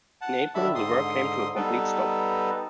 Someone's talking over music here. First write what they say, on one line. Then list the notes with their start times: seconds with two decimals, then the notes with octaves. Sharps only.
In April, the work came to a complete stop.
0.21 F#5 A5
0.55 D3 D#3 D4 E5 A5 B5
0.75 G#2 D3 C6 D#6
1.56 G3 B3 D#4 A4 B4